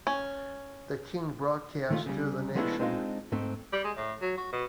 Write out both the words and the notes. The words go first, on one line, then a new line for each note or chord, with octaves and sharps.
The King broadcast to the nation.
C#4
D#3 A3 F4
C#3 G3
F3 G#3 A3 B3 D4 E4
G#3 C4 D4 D#4 F4
G#2 A3 C4
G3
G#3
A2
F#3
F#4
B2